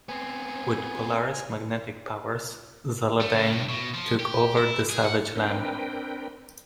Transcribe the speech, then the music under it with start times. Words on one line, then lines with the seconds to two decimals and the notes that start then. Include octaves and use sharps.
With Polaris' magnetic powers, Zaladane took over the Savage Land.
0.09 B3 C4 G#5
3.21 A3
3.34 C#3
3.53 G2
3.69 B2
3.94 F3
4.20 G4
4.57 E4
4.89 G#4
5.05 F#5
5.35 C4 D4 A#4 B4 G5